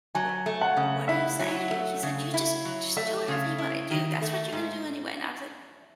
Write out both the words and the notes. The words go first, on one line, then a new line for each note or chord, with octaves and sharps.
what w what are you saying? He said, "you just just do whatever you want to do. That's what you're going to do anyway." And I was e
F#3 G#5
A3
F#5
C#3
E4 E5
F#3
A3
C#3
E4
F#3
A3 E5
C#3
E4
D#3
A3
G#2